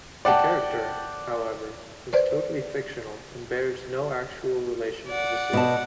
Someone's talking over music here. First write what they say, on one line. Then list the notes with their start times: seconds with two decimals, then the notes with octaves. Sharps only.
The character, however, is totally fictional and bears no actual relation to the city.
0.25 D5 F#5 G5 A5
2.13 B4 C5 D5
5.07 D5 F#5
5.53 B2 D#5 A5